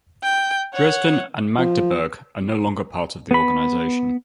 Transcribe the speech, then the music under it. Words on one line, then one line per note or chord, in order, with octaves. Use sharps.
Dresden and Magdeburg are no longer part of the organization.
G5
C#5 F#5
F3
B3 B5